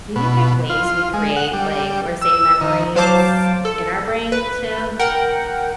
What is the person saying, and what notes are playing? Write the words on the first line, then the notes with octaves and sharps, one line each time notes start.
Do you think there's ways we create, like or save memories in our brain to
B2
F4
G#3
F#5
G3
E6
D#3
F#3 C5 F5 A5 D6
A4
B4
A#4 F#5 G5